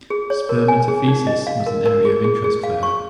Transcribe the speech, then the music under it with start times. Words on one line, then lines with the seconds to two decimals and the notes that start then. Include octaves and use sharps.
Spermatophytes was an area of interest for her.
0.10 G#4
0.30 C#5
0.49 A#4
0.68 G#5
0.88 G#4
1.08 D#4
1.27 D#5
1.47 F5
1.66 A#4
1.86 A#4
2.05 G#4
2.24 G#4
2.44 G#4
2.63 F5
2.83 C#6